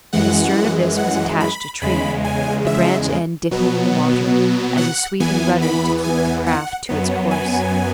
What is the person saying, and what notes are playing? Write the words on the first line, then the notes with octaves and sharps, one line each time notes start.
To the stern of this was attached a tree, the branch end dipping in the water, as a sweep and rudder to keep the craft to its course.
F#2 E3 G#3 F#5
F#5
B5
E2 C#3 G#3 B5
G#5
E5
B2 F#3 B3
F#5
E2 E3 B3 G#5
B5
G#5
F#5
F#2 F#3 B3
G#5